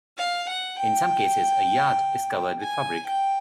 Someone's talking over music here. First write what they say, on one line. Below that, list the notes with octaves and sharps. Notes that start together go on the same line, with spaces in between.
In some cases a "yad" is covered with fabric.
F5
F#5
G5
G#5
G5